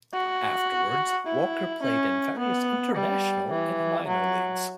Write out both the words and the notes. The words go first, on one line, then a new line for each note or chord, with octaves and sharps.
Afterwards, Walker played in various international and minor leagues.
F#4
E4
C#4
B3
G3
E3
F#3